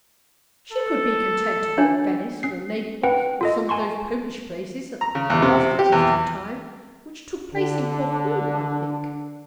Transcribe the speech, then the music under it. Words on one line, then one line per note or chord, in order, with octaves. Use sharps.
'She could be content to be at Venice or Naples, or some of those Popish places, at the last "interesting time," which took place in Corfu, I think.
A4
D4 C#5 G#5
C#4 C7
B4 F#5 G5
F4 A4 D#5
G#5 A5 C6 C#6
A#5
C#3
E2
C3
G4
E2
D3 D4